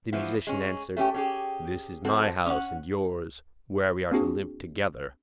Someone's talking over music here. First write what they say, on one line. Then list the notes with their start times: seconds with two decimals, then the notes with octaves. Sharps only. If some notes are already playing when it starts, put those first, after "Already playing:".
The Musician answered: 'This is my house, and yours; where we are to live together.'
0.13 E3 F3 B3
0.47 G#3 C#4
0.97 A3 C#4 D#4 G4
1.14 C#4 G4 G#4
2.05 F3 C4 F#4 A4
2.46 C#4 F#5
4.11 A#3 C4 D4 F#4 G#4